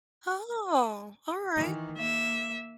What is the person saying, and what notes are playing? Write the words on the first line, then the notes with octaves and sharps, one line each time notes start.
Oh, alright.
D#3 E3
A#3 E5